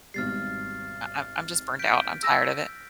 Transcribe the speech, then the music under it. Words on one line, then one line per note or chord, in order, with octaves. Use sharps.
I I'm just burned out. I'm tired of it."
G#1 B2 G3 F6 A6 C7
G6 B6 D7
E6 A#6